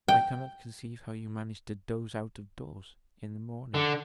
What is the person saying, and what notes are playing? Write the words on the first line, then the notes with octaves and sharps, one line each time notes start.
I cannot conceive how you manage to doze out of doors, in the morning.'
G5
D3